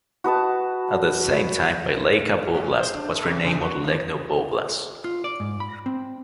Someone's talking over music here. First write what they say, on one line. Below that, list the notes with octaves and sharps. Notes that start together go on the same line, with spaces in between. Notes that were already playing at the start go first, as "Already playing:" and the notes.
At that same time, Vileika Voblast was renamed Molodechno Voblast.
F#4 B4 D#5 A5
A2
C5
D4
A2
C3
C#3
F#4
D#3
F4
D5
G#2
B5
C4